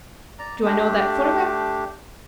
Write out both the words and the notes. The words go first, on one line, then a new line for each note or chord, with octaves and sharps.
Do I know that photograph?
D5 A#5
A3 D4 G4